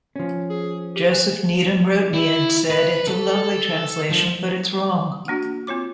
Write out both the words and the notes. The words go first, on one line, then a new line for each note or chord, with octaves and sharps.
Joseph Needham wrote me and said "It's a lovely translation, but it's wrong".
F3 C#4
G#4
G4
E3
E4
B4
A4
F3
A#3 D4 F#4
C4 F4 C#5 D6